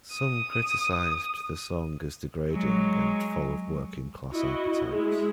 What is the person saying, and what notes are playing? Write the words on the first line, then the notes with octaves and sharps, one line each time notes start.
Some criticized the song as degrading and full of working-class archetypes.
D#6
F#3 G#3
E4 F#4 D#5
G#3 E4